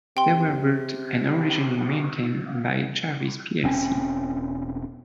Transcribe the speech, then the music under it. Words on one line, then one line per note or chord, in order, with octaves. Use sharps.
They were built and originally maintained by Jarvis plc.
C3 G5 C6
E1 C4 C#4